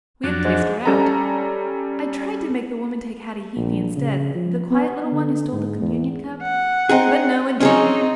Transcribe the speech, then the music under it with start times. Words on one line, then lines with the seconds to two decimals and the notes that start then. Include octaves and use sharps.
We have placed her out. I tried to make the woman take Hattie Heaphy instead,--the quiet little one who stole the communion cup,--but no, indeed!
0.24 F2 F#3 D4
0.45 G#2
0.85 G3 C#4 A4 A5 A#5
3.56 A#1
3.96 C#3
4.35 F3
4.71 B3
5.12 D3
5.52 G#2
5.81 E2
6.43 F#5
6.89 C4 D#4 G#4
7.60 C4 C#4 D#4 G#4 C#5